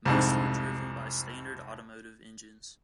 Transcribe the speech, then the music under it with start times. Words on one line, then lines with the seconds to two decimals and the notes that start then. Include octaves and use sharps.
Most were driven by standard automotive engines.
0.05 C2 F2 G#2